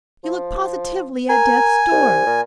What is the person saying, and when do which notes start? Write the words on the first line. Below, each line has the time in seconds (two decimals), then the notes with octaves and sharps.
You look positively at death's door.'
0.24 F3
1.29 A#4 G#5
1.91 C2
2.26 A#2